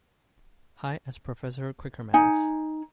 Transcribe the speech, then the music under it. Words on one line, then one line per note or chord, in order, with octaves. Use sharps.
High as Professor Quakermass.
D#4 G#5